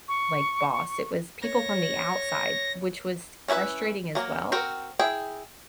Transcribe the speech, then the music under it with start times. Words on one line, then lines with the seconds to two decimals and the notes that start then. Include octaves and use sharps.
like, boss, it was people from the outside, which was frustrating as well
0.08 C#6
1.42 C#5 A#6
3.48 C#4 E4 F#4 B4 E5
4.15 F#3 A#3
4.52 C4 F#4 A#4 G5
4.99 E4 G#4 G5